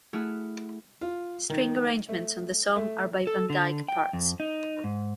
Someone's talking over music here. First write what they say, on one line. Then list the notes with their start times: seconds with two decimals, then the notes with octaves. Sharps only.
String arrangements on the song are by Van Dyke Parks.
0.13 A3 E4 F#4 G#4 E6 F6
1.01 F4
1.50 D#3
2.09 A3
2.76 A3
3.27 A4
3.50 D3
3.88 G5
4.13 F2
4.40 D#4
4.84 G#2